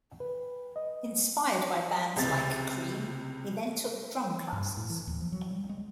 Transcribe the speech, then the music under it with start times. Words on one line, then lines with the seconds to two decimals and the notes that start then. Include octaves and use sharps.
Inspired by bands like Cream, he then took drum classes.
0.20 B4
0.76 D#5
2.16 C#2 C3 A6
4.53 G2
4.77 A2
4.90 E3
5.07 D#2
5.21 F3
5.32 F#3
5.51 G3
5.69 G#3